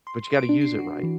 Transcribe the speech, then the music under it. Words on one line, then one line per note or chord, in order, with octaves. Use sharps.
but you gotta use it right,
C6
D7
D4
C7
F#4
E3